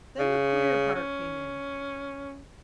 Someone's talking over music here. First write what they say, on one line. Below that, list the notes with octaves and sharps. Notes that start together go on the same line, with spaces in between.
Then the queer part came in.
C#3
C#4